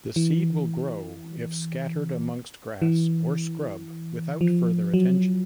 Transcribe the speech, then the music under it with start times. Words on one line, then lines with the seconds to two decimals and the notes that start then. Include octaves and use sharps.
The seed will grow if scattered amongst grass or scrub without further attention.
0.16 E3
2.82 E3
4.41 F3
4.94 F#3